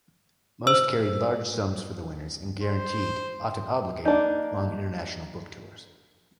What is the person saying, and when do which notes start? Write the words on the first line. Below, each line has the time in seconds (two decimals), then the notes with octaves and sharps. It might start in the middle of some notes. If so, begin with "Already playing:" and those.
Most carried large sums for the winners and guaranteed-often obligated-long international book tours.
0.67 C5 E6
2.63 C5
4.05 A#3 D4 D#4